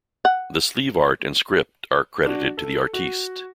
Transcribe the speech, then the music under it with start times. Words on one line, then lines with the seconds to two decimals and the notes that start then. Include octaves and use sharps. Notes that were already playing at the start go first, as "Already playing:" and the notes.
The sleeve art and script are credited to the artiste.
0.25 F#5
2.26 D4 F#4
2.57 A4
2.93 F#4